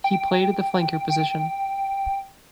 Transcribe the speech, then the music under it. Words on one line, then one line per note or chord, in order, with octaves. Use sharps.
He played at the flanker position.
G5
G5